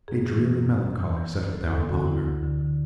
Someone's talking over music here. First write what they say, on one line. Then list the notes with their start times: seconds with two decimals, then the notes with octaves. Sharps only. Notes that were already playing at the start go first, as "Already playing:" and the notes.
A dreary, melancholy settled down upon her.
0.08 F#2 G#4
0.26 E3
0.44 E3
0.62 F#2
0.81 F#2
0.99 E3
1.17 E3
1.35 F#2
1.52 D2 A4
1.70 D3 A4
1.89 D3 F#4
2.07 D2 E4
2.25 D2
2.43 D3
2.61 D3